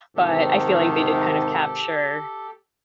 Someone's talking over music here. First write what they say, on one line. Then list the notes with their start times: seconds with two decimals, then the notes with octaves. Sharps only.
but I feel like they did kind of capture
0.16 G#2 C3 D#3 G4 A4